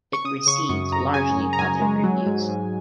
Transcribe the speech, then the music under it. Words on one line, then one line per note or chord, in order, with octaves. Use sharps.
It received largely positive reviews.
C#6
C#3 D#6
C#3 C#6
F#2 C#6
F#2 A#5
C#3 G#5
F#2
A#5
F#2 G#5
G#3
F#3
G#2
G#2